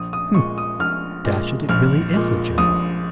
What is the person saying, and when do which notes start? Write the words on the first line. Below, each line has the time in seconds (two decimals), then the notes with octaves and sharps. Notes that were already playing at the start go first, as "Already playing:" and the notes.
Hm, dash it, it really is a general!
Already playing: A#1 D#6
0.13 D#6
0.35 A#2 G#3 C#6
0.58 D#6
0.80 A#1 F6
1.24 A#2 G#3
1.69 A#1 F6
2.14 A#2 G#3
2.58 A#1 D#6